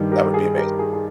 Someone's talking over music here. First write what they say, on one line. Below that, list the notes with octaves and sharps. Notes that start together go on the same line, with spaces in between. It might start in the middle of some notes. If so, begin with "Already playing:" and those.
that would be amazing.
Already playing: G2 D#3 G3
G4 A#4
G#4
G4 A#4
G#4
G#4